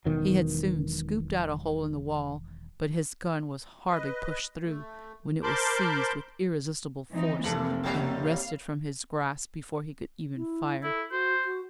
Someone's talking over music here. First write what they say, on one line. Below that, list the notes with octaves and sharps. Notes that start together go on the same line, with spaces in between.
He had soon scooped out a hole in the wall, but his gun was hardly pushed through, when it was seized with irresistible force, and wrested from his grasp before he could even fire.
E1 B2 D#3 F#3
B4 D#5
A3
A#4 C5 A5 B5 C6 D6
E3 C4 D#4
F1 E3 A#3 C4 A4 F#7
G#2 F#3 G3
F5
E4
E4 A4
F#4 C5
F#4